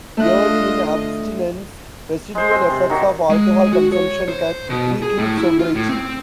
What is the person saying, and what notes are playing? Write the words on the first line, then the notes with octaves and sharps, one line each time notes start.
Early in abstinence, residual effects of alcohol consumption can preclude sobriety.
A3 D4 F4 D#5 F#6
G#3 C5
C4
C3
D#3 F#3
G#3
F#4
C#5
C5
B2
G#4
A2
E4
F4
A2
C4